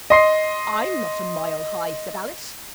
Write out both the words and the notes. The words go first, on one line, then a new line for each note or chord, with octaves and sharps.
'I'M not a mile high,' said Alice.
D#5 C6 C7